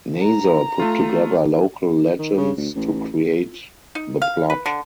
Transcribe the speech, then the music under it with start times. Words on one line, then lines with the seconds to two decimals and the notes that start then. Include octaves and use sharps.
Nazor put together local legends to create the plot.
0.22 A#5
0.80 A3 F4
2.19 D#3
2.37 C#3
2.57 D2
2.75 A1
3.95 D#4
4.22 F5
4.50 B4
4.66 D3